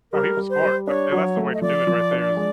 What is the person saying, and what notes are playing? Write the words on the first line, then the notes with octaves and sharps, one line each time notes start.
Oh, he was smart, a and that's the way to do it, right there is
G3 A#4
G3
C5
G3
D4 C#5
F#3
A3
D#5
F3 D5
F3
D4
G#3